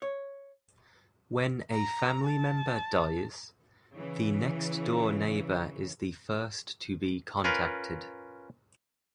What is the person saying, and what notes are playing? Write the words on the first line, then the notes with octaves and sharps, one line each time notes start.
When a family member dies, the next-door neighbor is the first to be contacted.
C#5
A#5
A5
C#3 E3
C#4 F4 A#4 B4